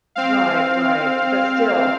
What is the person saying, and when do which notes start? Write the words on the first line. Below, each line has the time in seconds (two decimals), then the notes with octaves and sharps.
Right, right, but still
0.15 C4 F5